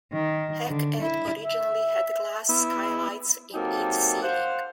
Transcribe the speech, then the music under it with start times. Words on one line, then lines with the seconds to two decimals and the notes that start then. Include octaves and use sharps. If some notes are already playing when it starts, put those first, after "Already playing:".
Hec Ed originally had glass skylights in its ceiling.
0.13 D#3
0.68 D3
1.02 E4
1.42 E5
2.49 B3 E4
3.54 F#3 A#3 C4 D#4 G4 A4
4.23 C5 F5 F#5